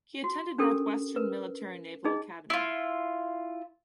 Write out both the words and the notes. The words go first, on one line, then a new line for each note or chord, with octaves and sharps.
He attended Northwestern Military Naval Academy.
F#4
C#4 D4 G4 A4 A#4
A#4 B4
D4 D#4 G#4 D#5
E4 F4